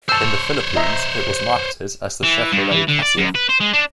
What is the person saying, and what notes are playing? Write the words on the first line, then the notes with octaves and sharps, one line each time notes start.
In the Philippines, it was marketed as the Chevrolet Cassia.
C5 C#5 A5 E6
D#5 E5 A#5
E3
G2
E3
D3
D5
F#2
B4
C5
G#3
D4